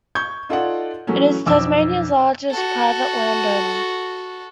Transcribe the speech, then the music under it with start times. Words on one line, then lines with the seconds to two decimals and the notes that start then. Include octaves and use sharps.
It is Tasmania's largest private land-owner.
0.15 C#6 G6 G#6
0.49 D#4 F4 A4 D5 D#5 F#5
1.07 E3 F#3 A3 C#4
1.46 B1 F2 D6 E6
2.51 F#4 A4